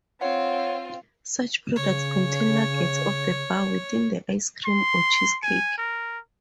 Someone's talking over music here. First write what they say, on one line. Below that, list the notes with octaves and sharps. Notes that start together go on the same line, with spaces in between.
Such products contain nuggets of the bar within the ice cream or cheesecake.
C4 F4 C#5 F#5
C#3 C#5
C6
G#5
A#4